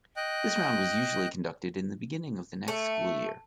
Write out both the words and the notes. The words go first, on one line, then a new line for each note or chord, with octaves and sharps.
This round was usually conducted in the beginning of the next school year.
D#5 G5 F#6
A3